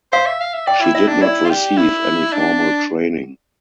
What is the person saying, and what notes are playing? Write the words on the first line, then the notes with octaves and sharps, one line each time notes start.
She did not receive any formal training.
C5 F5
E5
F5
E5
D5 G5
E4
E4 E5
D4
E4 D5
F4
G4
E4
D4